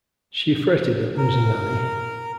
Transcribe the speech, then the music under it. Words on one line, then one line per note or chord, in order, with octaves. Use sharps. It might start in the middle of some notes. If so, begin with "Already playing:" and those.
She fretted at losing Annie.
A#4